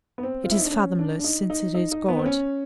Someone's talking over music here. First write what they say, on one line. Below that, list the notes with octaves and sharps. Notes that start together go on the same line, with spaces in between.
It is fathomless, since it is God.
B3
C4
F4
E4
D#4
D4
C#4
D4
D4
D#4
D#4
D#4
D#4
B3
C4
C#4